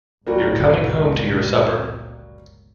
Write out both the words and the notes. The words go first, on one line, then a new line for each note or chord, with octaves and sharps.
You're coming home to your supper.
G1 C#2 A#2 F#3 G3 A#3